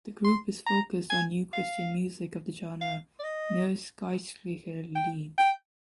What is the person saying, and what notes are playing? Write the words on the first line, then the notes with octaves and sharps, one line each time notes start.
The group is focused on new Christian music of the genre Neues Geistliches Lied.
C6
A#5
G#5
F5
F5
D5
D#5
G5
G5